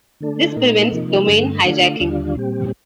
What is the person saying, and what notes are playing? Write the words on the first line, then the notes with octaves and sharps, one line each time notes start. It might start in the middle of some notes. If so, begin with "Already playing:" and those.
This prevents Domain hijacking.
D3 A3 D4 A4
A#2 A3 D#4 A#4
C3 F3 A#3 D#4
G2 D3 A3
D3 A3 D4 F4
D#2 D3 G3 D4 F4
A#2 G3 C4 G4